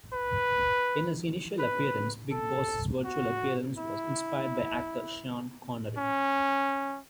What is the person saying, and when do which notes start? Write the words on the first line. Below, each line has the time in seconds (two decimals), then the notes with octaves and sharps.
In his initial appearances, Big Boss's visual appearance was inspired by actor Sean Connery.
0.13 B4
1.59 B4
2.32 A4
3.05 F#4
3.78 E4
5.98 C#4